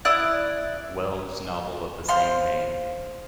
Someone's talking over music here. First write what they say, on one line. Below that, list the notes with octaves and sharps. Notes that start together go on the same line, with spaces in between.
Wells novel of the same name.
E4 D5 D#6 F#6
C5 F5 C6